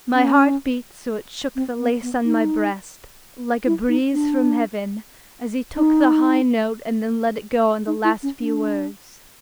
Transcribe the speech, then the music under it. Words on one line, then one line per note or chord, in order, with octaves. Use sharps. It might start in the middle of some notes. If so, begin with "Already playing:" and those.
My heart beat so it shook the lace on my breast, like a breeze from heaven, as he took the high note and then let it go on the last few words.
C#4
C4
B3
B3
D#4
E4
D#4
D4
D#4
D#4
E4
C#4
D4